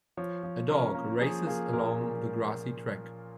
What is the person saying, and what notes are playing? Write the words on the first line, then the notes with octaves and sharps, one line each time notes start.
A dog races along the grassy track.
F3 C#5
F3
C#4 A#4
A#3
F3 G#4
A#3 G#4
A#2 A#4
A#4